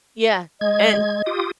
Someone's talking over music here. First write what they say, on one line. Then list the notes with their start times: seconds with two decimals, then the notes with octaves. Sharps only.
Yeah, and
0.61 G#3 D#5 G#6
1.26 F4 G4 D#6